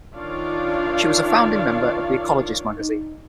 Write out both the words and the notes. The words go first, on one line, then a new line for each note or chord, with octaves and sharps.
She was a founding member of "The Ecologist" magazine.
D#3 D4 F4 C#5 D5 F5
D#4